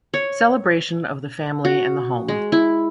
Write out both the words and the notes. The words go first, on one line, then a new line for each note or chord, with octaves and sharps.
Celebration of the Family and the Home.
C#5
F#4
G#3
E4